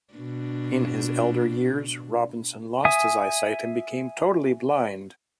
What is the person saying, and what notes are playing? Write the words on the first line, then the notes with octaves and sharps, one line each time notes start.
In his elder years, Robinson lost his eyesight and became totally blind.
B2 D4
E5 G#5 D#6